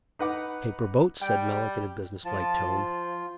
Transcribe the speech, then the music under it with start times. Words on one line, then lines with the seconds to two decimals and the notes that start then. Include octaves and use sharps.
"Paper boats," said Melick, in a business-like tone.
0.19 D#4 B4 F#5 D6
1.22 G3 G5
2.25 F3 F4 A5